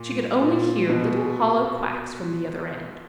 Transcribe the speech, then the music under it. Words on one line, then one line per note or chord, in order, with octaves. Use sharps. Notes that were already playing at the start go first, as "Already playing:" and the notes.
But she could only hear little hollow quacks from the other end.
Already playing: A#2
A#2
B2